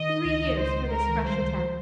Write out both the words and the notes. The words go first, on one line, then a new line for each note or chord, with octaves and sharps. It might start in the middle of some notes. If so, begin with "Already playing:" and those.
Three years for this fresh attempt.
Already playing: D#3 D#5
D#4
C#2
C#2
C#2 C5
C#2
G#3 A#4
D#3
G3 C5
C#2
F3